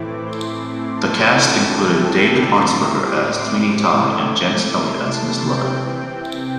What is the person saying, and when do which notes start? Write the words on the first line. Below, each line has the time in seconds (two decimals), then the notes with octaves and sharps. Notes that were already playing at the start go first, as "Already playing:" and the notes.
The cast included David Arnsperger as Sweeney Todd and Janis Kelly as Mrs. Lovett.
Already playing: A2 E3 A3 C4 E4 D6
0.26 C6
0.96 A5
1.30 D3 A3 C4 E4
1.65 G5
2.00 E6
2.34 D6
2.69 A2 G3 C4 E4 C6
3.03 D6
3.38 D6
3.72 D6
4.07 C3 A3 E4 D6
4.42 D6
4.77 C6
5.12 A5
5.46 C3 E3 C4 G5